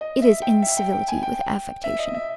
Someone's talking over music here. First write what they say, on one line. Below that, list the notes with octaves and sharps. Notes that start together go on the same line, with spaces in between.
It is incivility with affectation.
D#5
E5
G5
E5
G5
G5
G#5
G5
E5
D#5
E5